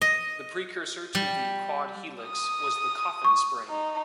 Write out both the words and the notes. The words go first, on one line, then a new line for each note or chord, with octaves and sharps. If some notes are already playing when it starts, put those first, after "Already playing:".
The precursor to the quad-helix was the coffin spring.
D#5
G3
D#6
C#6
D#4